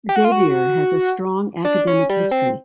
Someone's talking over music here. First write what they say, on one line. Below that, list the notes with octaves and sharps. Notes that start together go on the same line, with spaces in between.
Xavier has a strong academic history.
G4
F#4
F4
F#4
D4
C#4
G3
C4